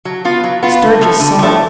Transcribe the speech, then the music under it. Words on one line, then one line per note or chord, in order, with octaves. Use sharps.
Sturgis saw it.
F#3
B3 F4
F#3
B3 F4
D3
F3 A3
D3
F3 A3